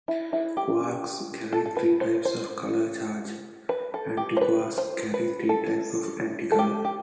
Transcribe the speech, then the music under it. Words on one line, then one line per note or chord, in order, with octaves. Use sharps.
Quarks carry three types of color charge; antiquarks carry three types of anticolor.
E4
E4
G4
A4
A4
B4
C5
C5
B4
A4
G4
C5
B4
C5
B4
A4
A4
G4
G4